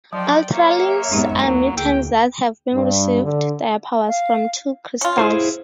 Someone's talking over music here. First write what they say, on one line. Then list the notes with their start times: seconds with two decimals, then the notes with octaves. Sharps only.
Ultralings are mutants that have been received their powers from two Crystals.
0.13 F3 F#3 D5 G5
0.52 A#3 C#5 E5
1.10 F#2 G#3 B3 C#4 D#4 G4
1.39 D#2 F#3 A#3 B3 E4
1.77 D2 G#4 G5
2.73 G2
3.22 D3
4.08 F5
5.01 C#4 F4
5.18 E4 G#4 C5